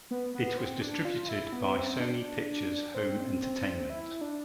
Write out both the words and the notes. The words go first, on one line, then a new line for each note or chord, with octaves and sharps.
It was distributed by Sony Pictures Home Entertainment.
B3
B3
C4
D4
F4
E4
B3
C4
D4
C4
C4
E4
D4